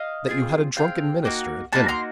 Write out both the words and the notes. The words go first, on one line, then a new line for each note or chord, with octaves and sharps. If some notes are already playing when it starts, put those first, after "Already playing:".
"That you had a drunken minister at dinner?"
Already playing: D#5 F5
C4 F4 G#4
C4 F4 G#4 F5 G5
A#3 D#4 F#4
A#3 D#4 F#4 A5 B5
A#5 C6